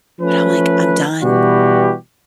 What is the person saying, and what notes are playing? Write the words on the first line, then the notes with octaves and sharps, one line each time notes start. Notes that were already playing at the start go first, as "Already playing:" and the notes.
but I'm like, "I'm done.
F3 A3 C#4 B4
B2 E3 G3 F#4 G4